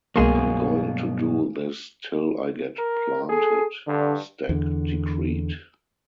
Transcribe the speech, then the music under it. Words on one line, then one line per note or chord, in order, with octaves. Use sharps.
"I'm going to do this 'til I get planted," Stack decreed.
C2 G2 B2 F#3 G#3 A#3 G#4 C6
A#4
G#4 A4
G2 D3
E2 D3